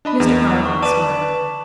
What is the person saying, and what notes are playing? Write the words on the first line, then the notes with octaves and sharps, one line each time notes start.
Mr. Carlyle smiled.
D4 D#5 B5
E2
C#6
B4 D5 A5 D6 E7